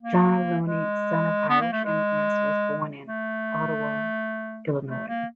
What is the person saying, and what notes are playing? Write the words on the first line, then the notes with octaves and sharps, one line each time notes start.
John Looney, son of Irish immigrants, was born in Ottawa, Illinois.
A#3
G#3
B3
A#3
A3
G#3
A3
A3
A#3